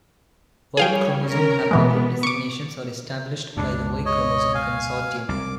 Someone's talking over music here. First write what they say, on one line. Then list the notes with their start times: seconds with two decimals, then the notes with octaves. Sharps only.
Y chromosome haplogroup designations are established by the Y Chromosome Consortium.
0.77 G3 G#4 C#5 F5 G5
1.24 C#4 A#4
1.71 B2 E3 G#3 B3
2.23 C#6 D6
3.57 C#2 G2 D4
4.06 C#5 D#5
4.55 F5 G#5
5.29 C2 D6